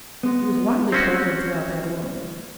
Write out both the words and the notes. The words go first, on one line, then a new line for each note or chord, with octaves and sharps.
It was widely prevalent throughout Babylonia.
G#3 B3
C4 C#4 F#4 C#5